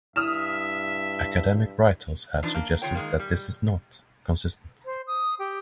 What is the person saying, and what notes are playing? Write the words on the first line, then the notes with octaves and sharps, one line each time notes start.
Academic writers have suggested that this is not consistent.
G2 E4 E5 D#6 F6 E7
E3 F3 D4 D#4
A#3
C#3 A#3 F4 C#5 G5
D#3 G#3 A#3
G3
C5
D#6
G4